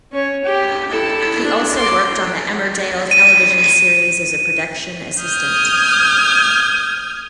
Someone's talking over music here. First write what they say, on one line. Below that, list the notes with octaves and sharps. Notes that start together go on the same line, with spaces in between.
He also worked on the "Emmerdale" television series as a production assistant.
C#4 C#5
G4
E4 A4
D4
C6 D6
D#7
D#6 F6 G6 G#6